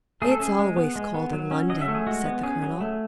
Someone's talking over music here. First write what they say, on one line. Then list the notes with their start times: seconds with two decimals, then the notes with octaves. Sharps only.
"It's always cold in London," said the colonel.
0.22 A3 G#4
0.32 A4
0.40 C#4 G#4
0.59 G#3
0.76 B3
0.96 G#3
1.14 B3
1.33 F#3
1.51 C#4
1.69 F#3 D#5
1.81 E5
1.88 A3 A4
1.95 G#4
2.07 G#3 F#4
2.26 B3
2.43 C#4 G#4
2.63 F#3
2.80 A3